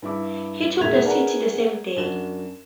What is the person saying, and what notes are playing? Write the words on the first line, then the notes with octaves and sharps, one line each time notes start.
He took the city the same day.
G2 E4 D6
E1 A2 G#3 E5 G#6 F7
G#4 A#4 B4 D5 F#5 A#5
F#2 D4 F#4 E7